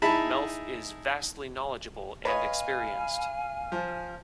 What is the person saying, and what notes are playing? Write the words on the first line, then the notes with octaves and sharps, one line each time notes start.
Melf is vastly knowledgeable and experienced.
D#4 E4 G#4 A5 B5
B4 C#5 D#5 F5 G#5 F6
F3